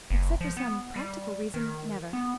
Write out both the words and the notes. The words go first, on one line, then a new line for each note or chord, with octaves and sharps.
"Except for some practical reason--never."
F#1
F3
B3
G3
D#3
B3